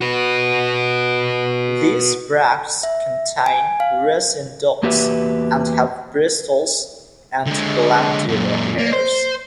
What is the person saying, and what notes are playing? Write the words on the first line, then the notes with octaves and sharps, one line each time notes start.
These bracts contain resin ducts and have bristles and glandular hairs.
F#4 B4
E5
G#5
F5
E2 A#3 F#4 G4 B4 E5
D3 G#3
F#2 A#2
A#3
C5